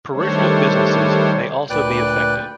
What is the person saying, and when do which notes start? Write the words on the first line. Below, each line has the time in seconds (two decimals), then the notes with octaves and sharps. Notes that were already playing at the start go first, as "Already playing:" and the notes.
Peripheral businesses may also be affected.
0.12 D#3 G3 A3 D4 C5 C#5
1.70 D2 A#2 B4 D5 G5 F#6